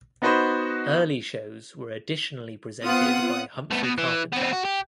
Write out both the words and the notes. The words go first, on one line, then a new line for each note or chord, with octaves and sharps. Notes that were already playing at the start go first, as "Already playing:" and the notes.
Early shows were additionally presented by Humphrey Carpenter.
B3 D#4 F#4 B4 C5
B3 C4 F4 F#5 D#6
A3 B3
B2
E3
B3 C4
F#4
G4